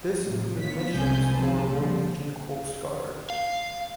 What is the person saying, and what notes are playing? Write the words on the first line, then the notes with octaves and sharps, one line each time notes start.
This included missions for Norwegian Coast Guard.
A2 C3
A#3 B3 F4 C#5 B6
C2 F3 G#3 C4 G#5 G6
D#3 F3 F#3 C4 B4 A5
A#2 C#3 F3 G3
F5